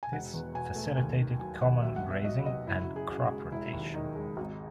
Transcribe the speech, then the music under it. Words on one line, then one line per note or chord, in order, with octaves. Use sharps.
This facilitated common grazing and crop rotation.
G#5
E1 F#5
E2
B2 G#5
A3
D#2 G#5
D#3
F#3 G#5
D#2 F#5
B1 E5
F#5
B2
E5
F#3 D#5
B1 D#5
F#1 E4
F#4
F#2
G#4
C#3 F#4
G#3
E1 E4
D#2
D#3 D#4
G#3
G#1